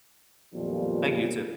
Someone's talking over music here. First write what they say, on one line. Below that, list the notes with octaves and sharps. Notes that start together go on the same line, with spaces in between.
Thank you. You too.
B1 F2 A#2 D#3 F3 G3